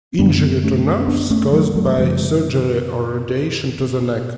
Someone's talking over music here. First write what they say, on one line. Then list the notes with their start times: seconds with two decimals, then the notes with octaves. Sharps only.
Injury to nerves caused by surgery or radiation to the neck.
0.19 F#2 D3 B3 D4
0.64 A3 C#4
1.08 B3 D4
1.30 A3 C#4
1.53 F#3 A3
1.75 F#3 A3
1.88 A3
1.98 F#2 C#3 F3 G#3